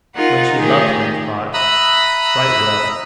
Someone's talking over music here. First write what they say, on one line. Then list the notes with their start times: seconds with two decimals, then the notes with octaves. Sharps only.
When she loved him, Trot, right well.
0.15 D#4 F4 A#4 F#5
0.56 A2 D#3 G4 G#4
1.54 E5 A#5 B5 D#6 E6 F#6